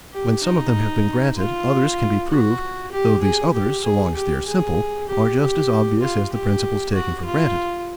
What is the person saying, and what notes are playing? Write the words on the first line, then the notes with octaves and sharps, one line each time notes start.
When some of them have been granted, others can be proved, though these others, so long as they are simple, are just as obvious as the principles taken for granted.
G4
D#4
F4
F#4
G4
G#4
G4
G#4
G4
G#4
G4
G4
F4
G4
F#4
F4